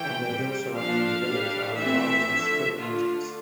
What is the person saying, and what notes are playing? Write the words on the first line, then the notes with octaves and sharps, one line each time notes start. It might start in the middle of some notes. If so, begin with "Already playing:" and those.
On the hills surrounding the village are examples of strip lynchets.
Already playing: E3 A3 G5
G3 C4
F3 A#3 D4 F5
G3 D4
E3 A3 C4 E5
D3 F3 A3
D3 A3 D4 F4